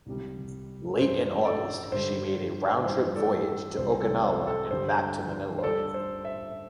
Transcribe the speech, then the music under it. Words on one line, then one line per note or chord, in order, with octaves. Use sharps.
Late in August, she made a round-trip voyage to Okinawa and back to Manila.
C2 C3 G3
G2 E3 G3 C5
A4 D5
G2 D3 G3 C5
G2 E3 G3 C5
A4 D5
C2 C3 E3 G3 C5
A4
C5
A4
G2 D3 G3 C5
C5
D2 D3 G3 A4 D5
C5
C5 E5